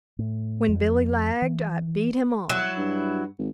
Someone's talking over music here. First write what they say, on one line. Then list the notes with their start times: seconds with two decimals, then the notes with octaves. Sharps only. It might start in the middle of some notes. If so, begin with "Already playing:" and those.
When Billy lagged I beat him on.
0.19 A2
0.69 F2
1.42 E3
2.49 F#3 E4
2.77 G2
3.39 G#1